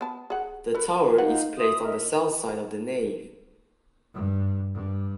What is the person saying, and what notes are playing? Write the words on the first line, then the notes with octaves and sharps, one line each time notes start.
The tower is placed on the south side of the nave.
B3 A5
G#4 F#5
A4 B4
D#4 F5 F#5
E5 C6 D#6
A#4 D#5 E5
G2
G2